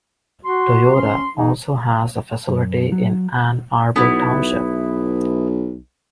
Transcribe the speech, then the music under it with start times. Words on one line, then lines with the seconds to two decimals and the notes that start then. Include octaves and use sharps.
Toyota also has a facility in Ann Arbor Township.
0.45 F#4 C6
0.96 C#4 C6
1.37 E3 D#4 G#4
2.48 F#2
2.92 F#3
3.96 B1 B3 E4